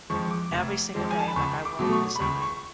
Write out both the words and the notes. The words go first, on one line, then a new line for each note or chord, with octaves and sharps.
every single day, like, I worked this evening,
F2 F3 G#3 C#6
D6
F1
F2 F3 G#3
G#5
A5
B5
C#2 C#6
D6
B2 F#3 A3
C#6
B5
C#2 C#6
C#6